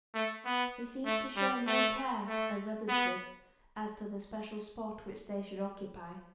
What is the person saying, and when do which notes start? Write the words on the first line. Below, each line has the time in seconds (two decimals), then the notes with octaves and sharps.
He seemed to show no care, as others did, as to the special spot which they should occupy.
0.14 A3
0.45 B3
1.06 A3
1.37 G3
1.67 A3
2.27 A3
2.88 B3